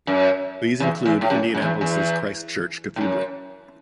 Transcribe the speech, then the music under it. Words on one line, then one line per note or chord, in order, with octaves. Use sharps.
These include Indianapolis's Christ Church Cathedral.
F#2
E2
E2
A2
F#2
F#2
E2
E2
A2
F#2